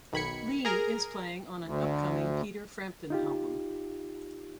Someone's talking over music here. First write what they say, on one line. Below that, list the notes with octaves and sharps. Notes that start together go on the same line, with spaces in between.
Lee is playing on an upcoming Peter Frampton album.
B1 D#3 B5 G#6 C#7
G#4 A#4 A#5
D2
D#4 F4 G4